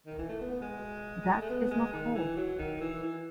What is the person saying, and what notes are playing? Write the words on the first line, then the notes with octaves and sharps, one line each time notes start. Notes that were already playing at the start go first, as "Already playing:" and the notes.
That is not all.
D#3
E3
A3
B3
B3
G#3
A3
B3
G#3
D#3
E3
F#3
D#3
E3
E3